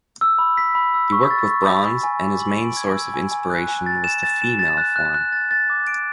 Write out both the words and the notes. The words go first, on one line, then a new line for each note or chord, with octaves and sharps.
He worked with bronze and his main source of inspiration was the female form.
E6
B5
B6
B5
E6
C#6
A6
C#6
B5
G#5
G#5
D6
F#7
D7
G#6
E6
G#5
G#5
F#6
G#5
A6
E7
A6
E7
A6
F#6
F#6
F#6
A6
A6
D6
D7